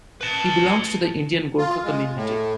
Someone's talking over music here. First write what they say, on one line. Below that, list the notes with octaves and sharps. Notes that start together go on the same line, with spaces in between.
He belongs to the Indian Gorkha community.
B4 A5
F4
G#3
A2